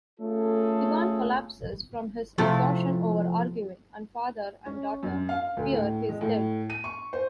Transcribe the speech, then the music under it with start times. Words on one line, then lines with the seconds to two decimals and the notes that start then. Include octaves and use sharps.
Ivan collapses from his exhaustion over arguing, and father and daughter fear he's dead.
0.20 A3 C#4 F4 G#4 A4
2.38 C3 F3 A3 E4 A5
4.66 C#4
5.03 F#2
5.29 F5
5.57 D2
5.72 A2
6.09 G#3
6.21 A2
6.70 D#7
6.84 C#6
7.13 C5